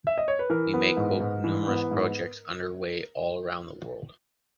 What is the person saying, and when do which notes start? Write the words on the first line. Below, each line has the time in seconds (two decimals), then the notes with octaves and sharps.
We may quote numerous projects under way all around the world.
0.07 E5
0.18 D#5
0.28 C#5
0.39 B4
0.50 E3 A#4
0.74 B3
0.97 G#2
1.20 G#2
1.44 E3
1.68 B3
1.91 G#2